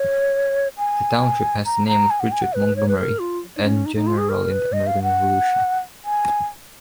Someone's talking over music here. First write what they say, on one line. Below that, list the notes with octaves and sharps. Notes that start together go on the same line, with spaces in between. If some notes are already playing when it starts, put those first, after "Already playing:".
The township has the name of Richard Montgomery, an general in the American Revolution.
Already playing: C#5
G#5
A#5
A#5
G#5
F#5
G#5
F#5
B4
C#5
B4
A#4
F4
D#4
C#4
D#4
D#4
F4
G#4
A#4
B4
D#5
F5
F#5
G#5